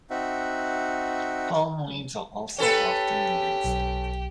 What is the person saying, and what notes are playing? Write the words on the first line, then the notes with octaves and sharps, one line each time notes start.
Palm leaves are also often used.
C4 D#4 F#4 E5 F#5
C#4 G4 A4 B4
B1